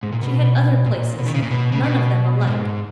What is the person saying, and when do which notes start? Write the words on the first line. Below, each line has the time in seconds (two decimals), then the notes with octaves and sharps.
She had other places, none of them alike.
0.03 G#2
0.12 A#2
0.23 B2
0.86 A#2
1.19 B2
1.26 D#3
1.34 C#3
1.42 A#2
1.51 B2
1.72 C#3
1.83 B2
2.41 A#2
2.47 G#2